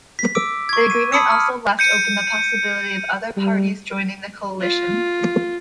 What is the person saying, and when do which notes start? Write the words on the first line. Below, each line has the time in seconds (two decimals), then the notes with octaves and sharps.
The agreement also left open the possibility of other parties joining the coalition.
0.19 B6
0.35 D6 E6 D7
0.69 C#6 G#6
0.90 D#7
1.12 A5 B5 D#6 E6 C#7
1.32 F6
1.79 G6 C#7 D#7
3.37 G3
4.61 F4